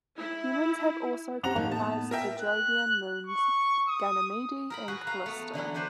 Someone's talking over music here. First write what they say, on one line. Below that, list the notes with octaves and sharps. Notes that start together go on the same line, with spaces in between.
Humans have also colonised the Jovian moons Ganymede and Callisto.
E4
C4 C#4 G4 F#5 A#5 F7
A2 F3 A#3 D#4
B3 A5
A#4 E5 G5
F#6
C#6
D#6
A#4 A#5 B5
F#4 G#4 B4
B4 F5 A#5
A3 B3
D3 E3 F#3 E4
A3 D4 B4 C5